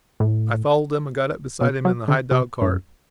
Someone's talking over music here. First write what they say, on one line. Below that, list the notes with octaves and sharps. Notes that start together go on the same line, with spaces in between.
I followed him and got up beside him in the high dog-cart.
A2
B2
F#3
D3
C3
G2
F#2